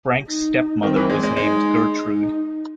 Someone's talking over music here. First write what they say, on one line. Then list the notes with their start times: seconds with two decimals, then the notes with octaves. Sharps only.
Frank's stepmother was named Gertrude.
0.27 D#4
0.82 D#3 C4
0.96 E3
1.10 G#3
1.23 G#3
1.37 G#3 D#4
1.92 D#4